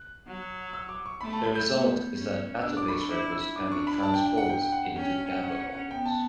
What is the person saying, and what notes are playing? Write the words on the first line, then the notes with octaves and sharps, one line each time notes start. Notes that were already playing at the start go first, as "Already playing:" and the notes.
The result is that database records can be transposed into Java objects.
Already playing: F#6
F#3
E6
D6
C#6
A3 B5
A5
B5
G6
B3
C#4
D4 E6
D6
B5
C#6
E4 D6
E6
D4 D6
C#6
B5
A5
G5
G5
F#5
G5
G5
F#5
F#5
C#4 G5
G5
F#5
C#4 F#5
F#5
F#5
B3 G5
A5